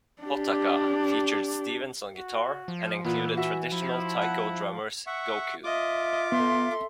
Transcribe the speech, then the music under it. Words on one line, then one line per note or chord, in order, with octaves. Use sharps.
"Hotaka" featured Stevens on guitar, and included traditional Taiko drummers Gocoo.
D4 G4
F#4
F3
A#2 E3 B3
F#4 E5
F3 E4
F#5
E5 F#5 C#6
F4 D#5 E5 D6
B3 A4 C6